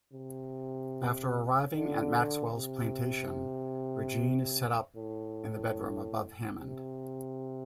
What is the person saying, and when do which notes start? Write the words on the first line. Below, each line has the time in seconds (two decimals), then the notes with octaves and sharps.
After arriving at Maxwell's plantation, Regine is set up in the bedroom above Hammond.
0.13 C3
1.75 D3
2.55 C3
4.96 A2
6.58 C3